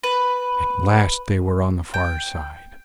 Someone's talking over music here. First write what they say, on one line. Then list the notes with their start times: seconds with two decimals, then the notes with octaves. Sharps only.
At last they were on the far side.
0.03 B4
1.94 G5